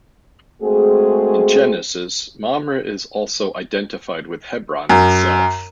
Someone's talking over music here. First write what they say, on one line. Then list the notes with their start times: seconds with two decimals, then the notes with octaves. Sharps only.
In Genesis, Mamre is also identified with Hebron itself.
0.62 G#3 A3 C4 F#4 G#4
4.89 F#2